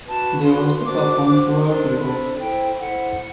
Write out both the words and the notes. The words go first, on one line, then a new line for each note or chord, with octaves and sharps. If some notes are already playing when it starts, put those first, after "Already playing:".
They also performed throughout Europe.
F#4 B4 A5
F#4 B4 C6
D4 F#4 C5 D6
D4 F#4 C5
D4 A4 C5 C6
D4 A4 C5 B5
E4 A4 C5 G5
E4 A4 C5 F#5